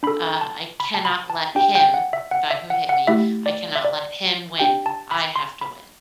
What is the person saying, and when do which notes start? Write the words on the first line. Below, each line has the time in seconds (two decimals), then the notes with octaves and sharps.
uh, I cannot let him, the guy who hit me, I cannot let him win. I have to win.
0.03 D4 A4 B5
0.41 A5
0.80 B5
0.94 A5
1.05 B5
1.30 A5
1.55 D4 G4 G5
1.75 G5
1.94 F#5
2.13 E5
2.31 F#5
2.51 E5
2.70 F#5
2.89 F#5
3.07 A3 E4 G4 E5
3.46 D5
3.75 E5
3.85 D5
4.59 D4 G4 G5
4.86 A5
5.11 B5
5.36 C6
5.61 B5